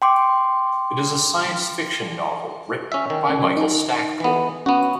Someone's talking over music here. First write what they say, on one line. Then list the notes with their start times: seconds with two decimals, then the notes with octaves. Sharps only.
It is a science fiction novel written by Michael Stackpole.
0.02 G5 C6 D6
2.92 C#4 E5
3.10 D#3
3.30 C#4
3.57 D#4
4.20 E3 B3
4.66 B3 C#4 F#4